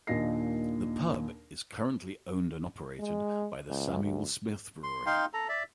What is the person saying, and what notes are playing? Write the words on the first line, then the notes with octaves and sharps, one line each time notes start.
The pub is currently owned and operated by the Samuel Smith Brewery.
D#2 A#2 D4 D#5 A#6 C7
G#3
C#2
D2
C6
D#4 F5 G5 C6
A4 A#5
D5 E5